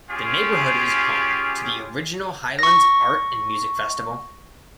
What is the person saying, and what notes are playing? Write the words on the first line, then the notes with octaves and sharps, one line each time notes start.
The neighborhood is home to the Original Highlands Art and Music Festival.
C#4 F4 G4 G#4
C#6 A#6